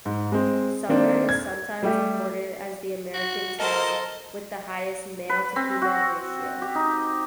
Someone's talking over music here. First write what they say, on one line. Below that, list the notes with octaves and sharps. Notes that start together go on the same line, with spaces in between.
Sumner is sometimes reported as the American town with the highest male-to-female ratio.
G#2
G#3 C4
D#3 A#3 C4 D4
G#6
G3 A3 G4
F#4
A4 A#4 C5 D#5 A5
B4
C4
F#4
G4
D#4